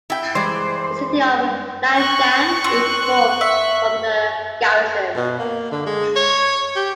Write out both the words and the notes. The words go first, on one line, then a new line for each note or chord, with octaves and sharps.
The city of Liangshan evolved from the garrison.
E4 G5
E3 G3 G#3 C5 D5
C#6 F#6
C4
E5
B2
A#3
D3
G#3
C#5
G4